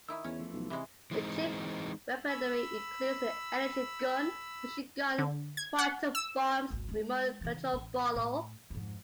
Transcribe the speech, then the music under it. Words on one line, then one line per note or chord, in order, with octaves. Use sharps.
The chip-weaponry includes the Energy Gun, Fusion Gun, Quantum Bombs and Remote-Controlled Bolo.
D#3 E4 D#6 E6
E2 C#4 C#5
E3 F3 A3
B1
C3 E3 G#3
E3 G#3 C4 D#4
B5 E6
D3
G#6
F#5
E6
G#1 C#2
G#3 D#4
C#3 E3
A1
A2
F2 G#2